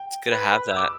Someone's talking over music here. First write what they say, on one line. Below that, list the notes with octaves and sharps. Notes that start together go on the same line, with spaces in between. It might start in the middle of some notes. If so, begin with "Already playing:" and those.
It's good to have that.
Already playing: G5
B4
E6
D6